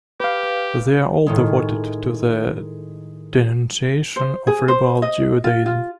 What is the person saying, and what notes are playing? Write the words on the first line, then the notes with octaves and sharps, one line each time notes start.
They are all devoted to the denunciation of liberal Judaism.
G4 B4 F5
A2 D#3 G#3
C5
G#4
C5
D#5
F4
F4